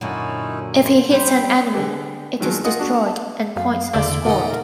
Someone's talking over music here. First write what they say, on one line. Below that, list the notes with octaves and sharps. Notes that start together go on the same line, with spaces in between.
If he hits an enemy, it is destroyed and points are scored.
F#2 A#2 D3 C#4 D#4 E4
C6
G3 C4 C5 G5 B5
D3 G#3 B3 G4 A4
G2 D#3 F3 F#3 G#3
A#3 F4 G#4 D#5 F#5
D4 F#4 A4
A5
F#2 F5
E2 D3 E5 D6
A#2 D#4 F#5
A#4